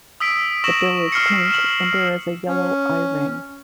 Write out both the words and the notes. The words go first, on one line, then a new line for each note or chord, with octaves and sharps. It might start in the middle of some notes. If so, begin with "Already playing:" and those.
The bill is pink, and there is a yellow eye-ring.
D#6 E6 B6 D7
C#6 E6 A#6 E7 F#7
C#6 F6 C7 C#7
E7 F#7
C#4